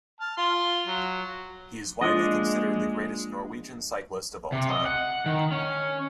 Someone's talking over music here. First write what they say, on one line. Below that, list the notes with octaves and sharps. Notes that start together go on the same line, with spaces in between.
He is widely considered the greatest Norwegian cyclist of all time.
A5 F6
F4 C6
F#3
F3 G#3 A#3 D4 D#5
C3
D#5
F#5
D#3
C#4